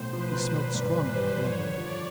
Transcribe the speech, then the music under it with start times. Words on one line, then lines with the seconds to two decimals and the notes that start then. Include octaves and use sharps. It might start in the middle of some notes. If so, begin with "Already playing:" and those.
He smelt strongly of rum.
Already playing: B1 A2 C5
0.12 F3 B4
0.33 B1
0.54 G#1
0.74 G2
0.96 E3 C5
1.16 G3
1.37 F2 C#5
1.57 D3
1.78 F3 D5